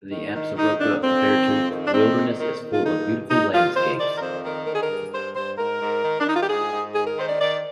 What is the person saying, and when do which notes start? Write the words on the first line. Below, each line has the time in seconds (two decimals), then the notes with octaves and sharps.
The Absaroka-Beartooth Wilderness is full of beautiful landscapes.
0.11 D#3
0.34 D#3
0.56 D#3 D#4
0.79 F2 D4
1.03 F2 C4
1.25 D#3
1.48 F2
1.70 D#3
1.87 D4
1.93 D#3 C4
2.17 D#3
2.40 D#3
2.62 D#3
2.72 F4
2.85 G2 D#4
3.07 G2
3.30 G2 D#4
3.53 G2 F4
3.75 D#3 C5
3.99 D#3 D5
4.17 A#4
4.21 F2 C5
4.44 D#3 A#4
4.66 D3 A#4
4.74 G#4
4.82 A#4
4.90 G2
5.12 G2 C5
5.36 G2 C5
5.58 G#2 A#4
5.81 G#2
6.03 D#3
6.20 D4
6.26 D#3 D#4
6.35 F4
6.42 G4
6.49 G#2 G#4
6.72 G#2
6.94 D#3 G#4
7.07 A#4
7.17 D#3 C5
7.29 D5
7.40 D#3 D5